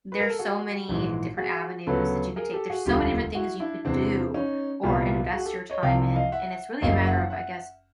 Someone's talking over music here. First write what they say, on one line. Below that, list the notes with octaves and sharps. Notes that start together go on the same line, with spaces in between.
there's so many different avenues that you could take. There's so many different things you could do or invest your time in, and it's really a matter of, I guess,
B4
A#4
A4
F#4 G#4
A#1 G#2 E3 G#3
F#4 G#4
D2 C#3 F#3 B3 A4 B4
G#4 A#4
G4 A4
F#4 G#4
E1 D2 D3 G3 F4 G4
E4 F#4
D4 E4
E2 C3 E3 G#3 C4 D4
C#4 D#4
C2 A#2 G3 B3 F4 G4
F#4 G#4
G4 A4
C#5 D#5
C2 C3 F3 F5 G5
D#5 F5
E5 F#5
F#1 F#2 C#3 F#3 A#3 D#5 F5
E5 F#5
E5 F#5